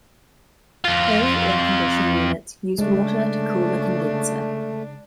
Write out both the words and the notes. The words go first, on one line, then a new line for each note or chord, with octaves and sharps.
Early air conditioner units used water to cool the condenser.
F2 F4
C#3 G#3 A3 D4